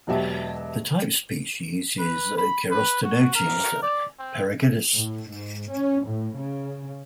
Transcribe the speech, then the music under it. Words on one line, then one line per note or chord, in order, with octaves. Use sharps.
The type species is "Chirostenotes pergracilis".
E1 B2 F#3 G4 E5 A5
B4
B5
B4
F#4
A#4
D5
C4
A2
G#2
C#4
A2
C#3